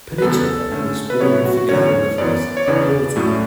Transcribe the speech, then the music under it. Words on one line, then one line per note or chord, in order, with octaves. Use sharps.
Penicheiro was born in Figueira da Foz, Portugal.
B4
E2 C#3 F#3 B3 A4
D3 A3 C#4
B4
A2 F#3 B3 E4 C#5
F#4
F#4
E2 D3 F#3 C#4 C#5
F#2 E3 B3 D5
C#5
E2 C#3 E3 B3 D4 D5
A2 F#3 A3 C#4